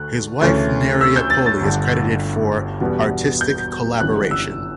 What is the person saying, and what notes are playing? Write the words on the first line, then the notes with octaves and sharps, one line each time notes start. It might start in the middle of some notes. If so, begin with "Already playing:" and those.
His wife Neria Poli is credited for "artistic collaboration".
Already playing: D2 D3 A3 F#6
D2 C#3 E3 A3 C#4
E6
G6
A6
A6
G1 G2 D3
E2 B2 G3 B3
G6
G1 F#2 E3 G3 F#6
E6